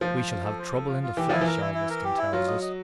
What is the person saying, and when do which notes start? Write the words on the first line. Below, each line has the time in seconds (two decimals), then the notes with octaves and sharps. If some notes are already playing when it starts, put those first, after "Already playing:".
We shall have trouble in the flesh, Augustine tells us....
0.01 F3 C5
0.15 C5
0.30 F4
0.45 A4
0.59 C5
0.73 A4
0.88 F4
1.03 F4
1.17 E3 G4
1.29 F3 E4
1.41 E3
1.47 A#4
1.61 E4
1.74 E4
1.90 A#4
2.04 G4
2.18 E4
2.32 F#3 F4
2.48 D#5
2.62 D#5